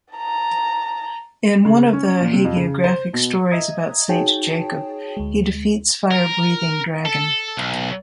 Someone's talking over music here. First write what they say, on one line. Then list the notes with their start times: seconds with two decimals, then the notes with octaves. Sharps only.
In one of the hagiographic stories about Saint Jacob he defeats fire-breathing dragon.
0.13 A5 A#5
1.65 C#3
1.93 C#4
2.20 A#2
2.33 C3
2.45 F2
2.56 C#3
2.84 C5
3.13 B2
3.51 D#5 E5 A#5 D#6 G#6
4.09 D#4 F#4 G#4 C#5 G5 A5
5.17 D2 G#3
6.11 A#4
7.06 A4
7.57 B1